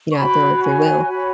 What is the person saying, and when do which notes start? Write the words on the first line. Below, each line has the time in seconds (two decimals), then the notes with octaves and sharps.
you know, at their own free will,
0.12 C#6
0.17 F#4 C#5 B5
0.56 B5
0.62 G#5
1.07 F#4 C#5 B5